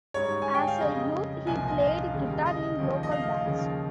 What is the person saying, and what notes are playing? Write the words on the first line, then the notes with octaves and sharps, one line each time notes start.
As a youth, he played guitar in local bands.
G#2 G3 C#5
G#5
G5
F5
F2 C#3 G3 D#5
C2 A#2 F3 G#5
D#5
F5
D#2 C#3 G3
D#5
D#2 C#3 F3
D#5
F5
D#2 C#3 F3